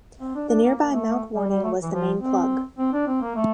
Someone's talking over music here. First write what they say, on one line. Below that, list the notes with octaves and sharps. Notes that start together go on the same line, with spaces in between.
The nearby Mount Warning was the main plug.
C4
D4
D4
A#3
A#3
A3
G3
G3
A3
E3
F3
C4
C4
D4
C4
A#3
A3